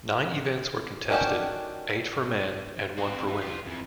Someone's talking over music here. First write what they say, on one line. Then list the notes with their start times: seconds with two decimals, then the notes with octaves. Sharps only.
Nine events were contested, eight for men and one for women.
1.10 D#3 C#4 D4 F#4 G4
2.98 C4 F#4
3.27 E3
3.41 F4 G4
3.66 F2 E3